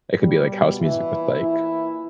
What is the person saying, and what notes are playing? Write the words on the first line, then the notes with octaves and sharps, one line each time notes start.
It could be, like, house music with, like
A#2 G3
B2
B2 E3 E4
A#2
A#2 E3 E4
A#2